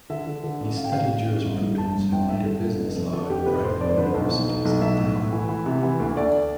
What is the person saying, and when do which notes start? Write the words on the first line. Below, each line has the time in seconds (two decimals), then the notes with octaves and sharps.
He studied jurisprudence and later business law at private universities in Tallinn.
0.10 D3 E5
0.27 D3
0.44 D3
0.60 A1
0.77 A1 F5
0.84 G5
0.92 A1 F5
1.11 A1
1.28 A1
1.45 G1
1.61 G2
1.78 G1 A5
1.95 G2
2.12 G1 G5
2.29 G2 E5
2.45 D3 A4
2.62 G1
2.80 F1
2.96 F2
3.13 D3 A4
3.30 F1 G4
3.46 F1 B4
3.64 F1 C5
3.80 F2 D5
3.89 C5
3.97 D3 B4
4.06 C5
4.14 B1
4.31 B1
4.48 B1
4.65 B1
4.81 B1 E5
4.98 A2
5.16 A2
5.33 E3
5.49 E3
5.66 C3
5.83 E3
6.00 D2
6.17 D2 D5